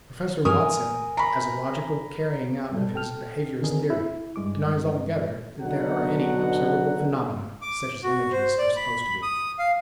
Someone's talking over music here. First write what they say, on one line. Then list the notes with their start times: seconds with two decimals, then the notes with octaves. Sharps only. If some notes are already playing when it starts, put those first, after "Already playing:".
Professor Watson, as a logical carrying-out of his behaviourist theory, denies altogether that there are any observable phenomena such as images are supposed to be.
0.45 A#4 G#5 D#6
1.17 A#5 B5
2.72 G#2 B2 G3 A4
2.94 A4 G5 F6
3.62 D3 D#3 C4 G#4 A#4
3.90 E4
4.36 G2 G#3 D6
5.61 B1 B2 D3 F#3 F#5 A#5
7.62 D6
8.03 F#4
8.32 C5
8.58 D5
8.76 B5
9.22 D#6
9.59 F5